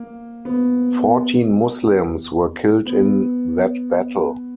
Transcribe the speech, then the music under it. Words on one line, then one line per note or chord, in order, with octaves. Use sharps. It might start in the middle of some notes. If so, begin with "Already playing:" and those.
Fourteen Muslims were killed in that battle.
Already playing: A#3
B3
B3